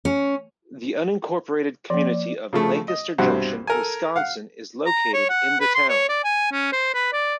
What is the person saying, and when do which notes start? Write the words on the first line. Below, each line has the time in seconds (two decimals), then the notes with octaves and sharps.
The unincorporated community of Lancaster Junction, Wisconsin is located in the town.
0.05 C#4
1.90 F3 A#3 D5
2.53 C#3 F3 A3
2.88 D#5
3.18 C2 G2 B2 C4 F#5
3.67 A4 A#4 G#5
4.16 F5 F#5
4.86 A#5
5.13 C#5
5.29 F#5
5.60 B4
5.75 C6
5.89 C#5
6.09 D5
6.24 G#5
6.52 C#4
6.72 C5
6.94 B4
7.13 D5